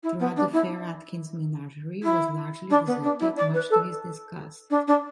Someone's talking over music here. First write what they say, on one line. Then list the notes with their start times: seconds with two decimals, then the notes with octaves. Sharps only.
Throughout the fair Atkins' menagerie was largely deserted, much to his disgust.
0.03 E4
0.19 B3
0.36 D4
0.52 E4
2.03 E4
2.70 D4
2.86 B3
3.03 D4
3.20 E4
3.36 D5
3.54 B4
3.70 A4
4.70 D4
4.87 D4